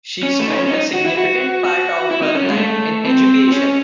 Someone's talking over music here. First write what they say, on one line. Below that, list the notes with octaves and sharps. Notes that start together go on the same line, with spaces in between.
She spent a significant part of her life in education.
C#4
A3
D#4
C#4
C#4
D#4
F#4
E4
F#4
F#4
E4
D#4
C#4
F#3
G#3
A3
C4
C#4